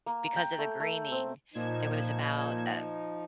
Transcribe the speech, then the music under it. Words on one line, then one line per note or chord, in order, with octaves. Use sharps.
because of the greening, there was about a
A#3
G5
A3
A3
C4
A#2 F3 D#4 G#6 E7